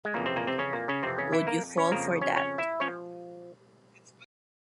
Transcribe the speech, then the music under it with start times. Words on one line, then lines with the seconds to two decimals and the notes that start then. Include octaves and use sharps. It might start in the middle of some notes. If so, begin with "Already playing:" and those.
Would You Fall for That?
0.05 G#3
0.14 F2 A#2 C#3 E3 A#3
0.26 C3 C4
0.36 A#2 A#3
0.47 C3 C4
0.58 C#3 C#4
0.73 A#2 A#3
0.88 C#3 C#4
1.03 F2 C3 E3 C4
1.18 C#3 C#4
1.32 E3 E4
1.47 A#3 A#4
1.77 C#4 C#5
1.91 F2 C#3 F3 A#3 A#4
2.21 C#4 C#5
2.36 C#4 C#5
2.58 E4 E5
2.80 F3 C#4 C#5